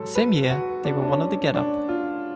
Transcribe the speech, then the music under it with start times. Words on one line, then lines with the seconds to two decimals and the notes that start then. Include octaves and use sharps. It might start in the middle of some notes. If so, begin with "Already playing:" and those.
The same year, they were one of the Getup.
Already playing: G#2 F#3 A4
0.15 B4
0.50 F#4
0.85 D4
1.02 D4
1.07 C#4
1.54 D4
1.89 F4